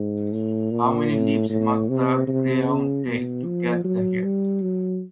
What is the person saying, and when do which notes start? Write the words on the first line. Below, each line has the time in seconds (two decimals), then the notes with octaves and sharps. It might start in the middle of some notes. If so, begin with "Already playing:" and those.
How many leaps must the greyhound take to catch the hare?
Already playing: G#2
0.32 A2
0.71 A#2
1.10 A2
1.50 A2
1.89 C3
2.28 C3
2.67 C#3
3.06 B2
3.45 F3
3.84 F#3
4.23 G3
4.62 F#3